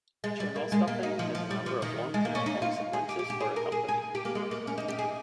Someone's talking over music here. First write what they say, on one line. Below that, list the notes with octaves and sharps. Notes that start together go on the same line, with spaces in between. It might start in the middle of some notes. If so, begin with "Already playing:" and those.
Channel stuffing has a number of long-term consequences for a company.
G#3
G3
A#3
G#3
A#3
D#4
F3
F3
G3
F3
D#3
G#3
A#3
C#4
D#4
F4
G#4
G4
G4
G4
G#4
A#4
G#4
G#4
G4
A#3
G#3
A#3
C#4
D#4
G4
G#4